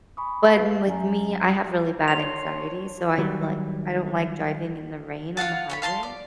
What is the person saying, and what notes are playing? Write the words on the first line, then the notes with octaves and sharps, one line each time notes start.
but m with me, I have really bad anxiety, so, I'd like, I don't like driving in the rain on the highway.
G#5 B5 C#6 D#6
A3 G#4 B4 F5
F#2
D4 C#5 C6 F7
D#3 F#3 G3
F4 F5 F#5 A5
C#5 G5 B5
F5 A5 A#5 C6
D5